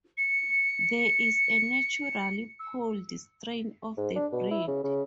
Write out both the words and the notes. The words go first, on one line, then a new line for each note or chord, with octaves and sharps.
There is a naturally polled strain of the breed.
C#7
E6
G#2
D4
B2
E4
C#3
C#3